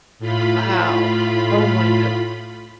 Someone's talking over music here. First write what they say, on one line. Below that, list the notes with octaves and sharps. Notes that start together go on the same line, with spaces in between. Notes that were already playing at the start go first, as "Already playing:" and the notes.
Wow. Oh my good
A2 F4 B5